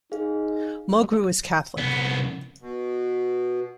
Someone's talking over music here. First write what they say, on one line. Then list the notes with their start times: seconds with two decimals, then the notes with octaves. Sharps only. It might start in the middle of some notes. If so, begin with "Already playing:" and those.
Mulgrew is Catholic.
0.12 D#4 G#4 F5
1.78 C2 B3
2.61 B2